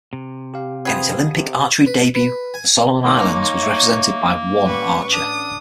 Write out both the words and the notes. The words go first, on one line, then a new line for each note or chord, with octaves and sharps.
In its Olympic archery debut, the Solomon Islands was represented by one archer.
C3
G4 F5
F3 B3 C4 G#4
C3
B4
B4
G#5
D#2 A#3 D#4 C#5 C6 D6
E5
A1 G3 B4 C#6
D4 D#6